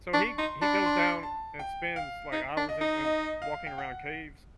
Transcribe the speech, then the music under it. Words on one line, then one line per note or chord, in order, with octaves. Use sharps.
So he he goes down and spends, like, hours and and walking around caves?
D4 C#6
D#4 C6
D4 B5
C6
A5
G5
F5
D#4
D4
D#5
D#4
D#5
F5
G5
F#5